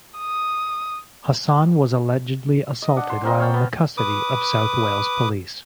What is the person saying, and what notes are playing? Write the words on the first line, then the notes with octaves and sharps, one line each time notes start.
Hassan was allegedly assaulted while in the custody of South Wales Police.
D#6
D#5
D4 F#5
C6
C4 A#4 D#5
C#5 F5 G5 A5
B3
B4 D6 D#6